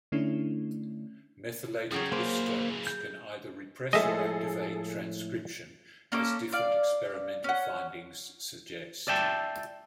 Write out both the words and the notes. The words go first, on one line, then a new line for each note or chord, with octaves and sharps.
Methylated histones can either repress or activate transcription as different experimental findings suggest.
D3 A3 C#4 D4 E4
C#3 F#3 G3 C4 G#4 C#5
C#3 E3 A#3 C5 D5
G6
A2 F3 G#3 G#4 A4 D#5 E5
A#3 C#4 A4 D6
D5 F5
C#4 F#5
D5 E5 G5 A5